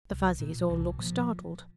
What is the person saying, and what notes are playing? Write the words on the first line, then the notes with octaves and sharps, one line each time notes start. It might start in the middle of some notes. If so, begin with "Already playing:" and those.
The Fuzzies all looked startled.
C2
A#2
C2 E3
A#2 F3